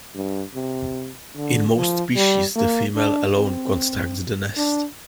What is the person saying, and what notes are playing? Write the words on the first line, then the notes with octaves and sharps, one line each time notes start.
In most species the female alone constructs the nest.
G2
C3
D3
F3
G3
A#3
D4
C4
D4